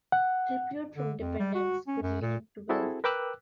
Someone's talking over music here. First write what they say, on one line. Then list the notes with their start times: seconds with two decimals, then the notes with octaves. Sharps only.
Tribute from dependents could lead to wealth.
0.12 F#5
0.96 D3
1.20 F2
1.40 G3
1.55 F#4
1.88 C#4
2.02 F#2
2.21 A#2
2.69 C4 E4 F#4 G#4 A4
3.04 A#4 B4 G5 D6 E6 F#6